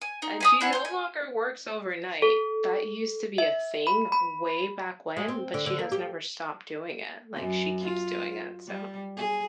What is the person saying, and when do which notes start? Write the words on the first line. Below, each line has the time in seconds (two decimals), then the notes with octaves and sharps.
And she no longer works overnight. That used to be a thing way back when, but she has never stopped doing it; like, she keeps doing it, so
0.02 G#5
0.22 D#4
0.40 G#5 B5 D#6
0.61 D4 E4 F#5 G#5
0.73 C6 G6
0.85 G#5
2.22 A4
3.38 E5
3.87 B5
4.12 B5
5.17 G#3
5.28 C4
5.54 D3
5.66 D3
5.79 A#3
5.92 G4
7.36 F#2
7.81 F4
8.67 G3
9.17 G#4